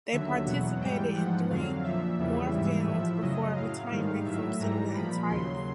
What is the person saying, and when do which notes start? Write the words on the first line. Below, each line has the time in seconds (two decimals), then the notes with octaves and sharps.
They participated in three more films before retiring from cinema entirely.
0.12 D#2 D3 F#3 E5
0.46 E2 B2 F#3 F#5
0.81 G#2 E3 G3 G5
1.15 G#2 F3 F#5
1.50 F2 D3 F#3 F5
1.84 A#2 F3 E5
2.18 E2 C#3 E3 G3
2.53 G#2 E3 G3
2.87 A2 F3 E5
3.22 F#2 C#3 F#3 D#5
3.56 A2 F#3 F5
3.91 G#2 D#3 G3
4.25 A2 F#3 E5
4.60 G#2 E3 G3 A#5
4.94 A#2 F3 B5
5.28 D#2 C#3 F#3 C6